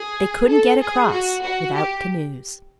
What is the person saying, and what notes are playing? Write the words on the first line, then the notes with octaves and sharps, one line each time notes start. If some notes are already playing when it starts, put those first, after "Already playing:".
They couldn't get across without canoes.
Already playing: G#4
A4
G#4
F#4
F#4
G4